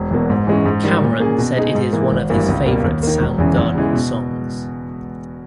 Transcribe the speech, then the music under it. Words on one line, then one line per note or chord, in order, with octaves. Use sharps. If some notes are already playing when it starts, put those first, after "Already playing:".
Cameron said it is one of his favorite Soundgarden songs.
Already playing: E1
E2 B2 A#3
G#2
E3 G#3 C#4
G#2
D#3 G3
A#2
A#3 C#4 G#4
B2
G#3 D#4 G#4
G#2
E3 A#3
G#1
G2 E3 A#3
C#2
B2 G3 A#3
D#2
D#3 A#3
E1
E2 C#3 E3
E2
C#3 E3 G#3
B2